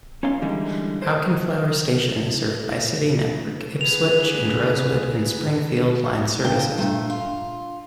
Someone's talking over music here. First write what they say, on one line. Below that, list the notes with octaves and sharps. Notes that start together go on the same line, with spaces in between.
Auchenflower station is served by City network Ipswich and Rosewood and Springfield line services.
C#4 D#4 F5 C6
D3 E3 G3 G#3 D#4 E4
C5
D3 G#4 B4 F7
C#3 G5 A5
G2 A#2 A3
F4